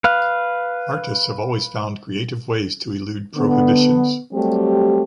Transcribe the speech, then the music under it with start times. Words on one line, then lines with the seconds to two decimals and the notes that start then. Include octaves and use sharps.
Artists have always found creative ways to elude prohibitions.
0.04 B4 F5
3.36 D3 B3
4.32 F#3 G3 A3 C4 G4